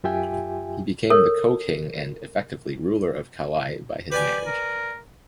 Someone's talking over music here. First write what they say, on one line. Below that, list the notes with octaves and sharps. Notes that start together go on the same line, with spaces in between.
He became the co-king and effectively ruler of Kauai by his marriage.
F#2 F4 G4 E5 G5 G#5
A4 A#4 C#5
G4 B4 D5 G#5
A#4